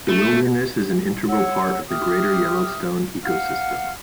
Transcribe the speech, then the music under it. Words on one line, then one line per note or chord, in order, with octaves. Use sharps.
The wilderness is an integral part of the Greater Yellowstone Ecosystem.
A3
C#5 F#5 E6
G4 E5 D#6 F6
F5 F#5 F6